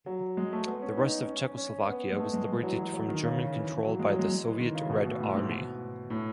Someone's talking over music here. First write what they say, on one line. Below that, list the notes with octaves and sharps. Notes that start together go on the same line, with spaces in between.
The rest of Czechoslovakia was liberated from German control by the Soviet Red Army.
F#3
G#3
A3
B3
C#4
D#4
C#4
C#4
B3
G#3
A3
G#3
G#3
E3
F#3
F#3
F#3
D#3
C#3
C#3
E3
E3
F#3
G#3
F#3
G#3
G#3
E3
D#3
C#3
B2
A2
A2
G#2
B2
A2